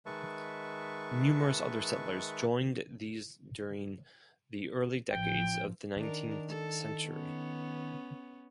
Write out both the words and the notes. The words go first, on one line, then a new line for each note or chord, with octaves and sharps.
Numerous other settlers joined these during the early decades of the nineteenth century.
D#3 G#3 B4 E5 A5 C#6
A1 F3 G5
D#3 D4 A#4
A4
B3 C#4